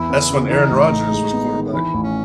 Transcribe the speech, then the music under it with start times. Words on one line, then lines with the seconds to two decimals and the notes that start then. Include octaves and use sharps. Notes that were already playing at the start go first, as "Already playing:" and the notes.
That's when Aaron Rodgers was quarterback.
Already playing: E2 E3 E4
0.10 B3
0.30 C#3
0.50 E3 D#4
0.71 A1
0.91 A2
1.12 G#3
1.33 B3
1.53 D#3
1.73 E3 E4
1.94 A1
2.03 C#4